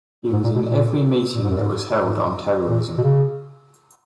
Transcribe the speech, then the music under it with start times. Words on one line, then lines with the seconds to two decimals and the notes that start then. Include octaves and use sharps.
He was in every meeting that was held on terrorism.
0.33 G#2
0.44 A#2
0.56 B2
0.66 A#2
1.35 A#2
1.43 G#2
1.50 F#2
1.57 G#2
2.02 G#2
2.69 A#2
2.98 B2
3.03 C#3